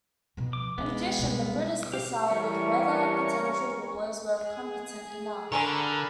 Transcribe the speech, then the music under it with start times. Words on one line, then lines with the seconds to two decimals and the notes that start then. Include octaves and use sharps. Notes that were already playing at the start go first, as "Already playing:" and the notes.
In addition, the British decided whether potential rulers were competent enough.
0.37 B2 F3
0.53 D6
0.78 E3 G#3 B3
1.19 B2 G3
1.93 G4 F5
2.26 E3 G3 C#4 A#4 C#6
4.37 G#4
5.52 D3 A#4 D5 G#5 A#5 B5 C#6